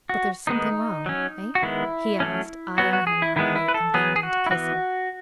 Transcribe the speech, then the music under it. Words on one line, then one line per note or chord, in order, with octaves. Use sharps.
"But there's something wrong--eh?" he asked, eying her narrowly, and bending to kiss her.
F#4
D#3 G#3 B3 D#4
F#3 C#4
F#4
D#3 G#3 B3 E4
F#3 A3 C#4
F#3 B3 F#4
F#4
G#4
E4
D#3 G#3 B3 E4
E4
B4
A4
F#3 B3 G#4
G#4
F#4
E4
E3 B3 F#4